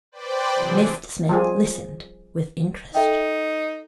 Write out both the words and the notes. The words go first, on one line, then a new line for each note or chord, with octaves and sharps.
Mr Smith listened with interest.
B4 C5 D5 G5
C3 E3 F#3 C4 D4 G#4
F3 G3 G#4
D#4 A4 E5 G5